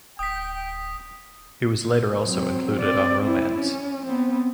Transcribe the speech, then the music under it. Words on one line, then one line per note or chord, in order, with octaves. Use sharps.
It was later also included on "Romance".
D1 G5 D#6 B6
F#3 C4
C4 D5
C4 E4
C#4
B3 C4